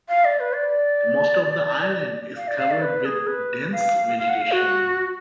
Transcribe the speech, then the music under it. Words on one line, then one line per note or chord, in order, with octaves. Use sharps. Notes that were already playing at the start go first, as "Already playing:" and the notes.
Most of the island is covered with dense vegetation.
F5
D5
B4
D5
F5
D5
F5
D5
B4
G#4
B4
F5
F5
F#5
F5
F#4